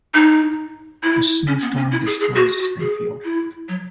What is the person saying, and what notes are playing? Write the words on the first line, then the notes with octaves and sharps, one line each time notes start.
A snowstorm destroys Springfield.
D#4
E4
C#4
B3
C#4
E4
G#4
G#4
F#4
F#4
G#4
E4
F#3